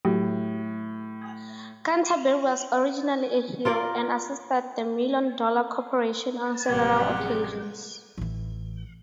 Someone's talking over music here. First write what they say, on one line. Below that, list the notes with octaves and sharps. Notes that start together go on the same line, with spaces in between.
Canterbury was originally a heel, and assisted the Million Dollar Corporation on several occasions.
A2 F#3 F#4 G4
F4 A#4 D5 F5
A1 F#2 C3 F3 G3 B4 F#5
G#4
A1 E3